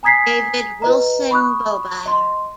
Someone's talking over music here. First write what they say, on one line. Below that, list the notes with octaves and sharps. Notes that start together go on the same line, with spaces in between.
David Wilson Beaubier.
G#5 A#5 D#6 G#6 B6 C7
F4 B4 D#5 A#5
B5 C#6 D#6 F#6
D#5 C6